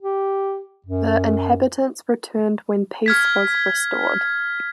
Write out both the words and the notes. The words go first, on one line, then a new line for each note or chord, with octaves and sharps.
The inhabitants returned when peace was restored.
G4
F#2
F6 G#6 B6